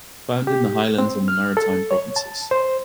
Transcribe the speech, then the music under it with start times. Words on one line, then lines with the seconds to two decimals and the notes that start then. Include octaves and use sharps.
Found in the highlands and the maritime provinces.
0.47 G4
0.98 C4
1.28 F6
1.57 A4
1.91 C#5
2.16 A5
2.51 C5